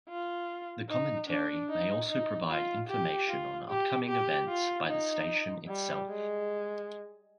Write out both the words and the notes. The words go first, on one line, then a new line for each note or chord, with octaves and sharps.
The commentary may also provide information on upcoming events by the station itself.
F4
D#4
D4
D#4
D#4
F4
G4
F4
G4
G4
F4
D#4
G3
G#3